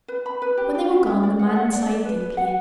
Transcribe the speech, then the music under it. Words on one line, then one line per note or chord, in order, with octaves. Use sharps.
When they were gone, the man sighed deeply.
B4
B5
B4
G4
G4
E4
C#4
D5
F#5
F#5
D5
D5
B4
B4
F#5